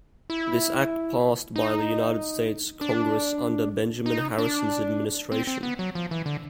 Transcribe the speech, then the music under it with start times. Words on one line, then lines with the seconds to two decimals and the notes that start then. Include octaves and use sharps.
This act passed by the United States Congress under Benjamin Harrison's administration.
0.30 E4
1.56 D#4
2.81 D4
4.06 D#4
4.38 D4
5.32 C4
5.47 C4
5.63 B3
5.79 F#3
5.95 F3
6.11 E3
6.26 D3